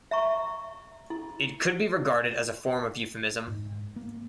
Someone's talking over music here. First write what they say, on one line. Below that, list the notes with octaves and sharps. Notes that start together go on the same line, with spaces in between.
It could be regarded as a form of euphemism.
E5 A#5 C#6
E4
G#2
A#3